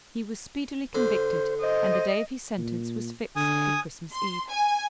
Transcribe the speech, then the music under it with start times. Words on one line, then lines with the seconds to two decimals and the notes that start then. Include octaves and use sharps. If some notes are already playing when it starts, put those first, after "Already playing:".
He was speedily convicted, and the day of his sentence was fixed for Christmas Eve.
0.95 D3 C5
1.61 C5 D#5
2.58 A#2
3.36 D3 G#5 D#6
4.14 C6
4.50 G#5